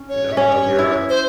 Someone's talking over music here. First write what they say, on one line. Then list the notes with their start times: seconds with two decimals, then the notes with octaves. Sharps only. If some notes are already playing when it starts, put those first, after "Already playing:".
you know, of your, uh
Already playing: C#4
0.09 C#5
0.32 E5
0.37 C#4 C#5
0.79 E4
1.09 C5